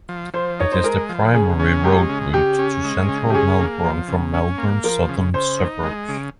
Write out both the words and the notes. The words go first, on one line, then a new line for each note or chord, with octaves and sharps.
It is the primary road route to central Melbourne from Melbourne's southern suburbs.
F3
F3 C5
D#4 C#5
C5
G#3 A#4
F3
C#3 G#4
C#4
G#3 G4
C#3
C#3 G4
C#4
G#3
C#3
G4
C#4 G#4
A#3
F3
C#3
C#4
A#3
F3 A#4
C#3
C#3 C5
D#4
G#3
C#3